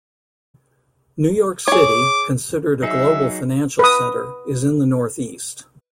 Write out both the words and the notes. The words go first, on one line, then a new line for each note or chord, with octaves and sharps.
New York City, considered a global financial center, is in the Northeast.
G#4 C#5 D6
F#3 D#4 G#4 E5
B4 D#6